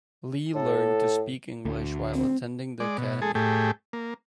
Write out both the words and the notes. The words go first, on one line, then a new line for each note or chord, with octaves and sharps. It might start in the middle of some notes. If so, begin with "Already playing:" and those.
Lee learned to speak English while attending the academy.
A2 A4
D2
C4
G#3 D5
B2
G#3 G#4 A4
A2 A3 G4 G#4
A#3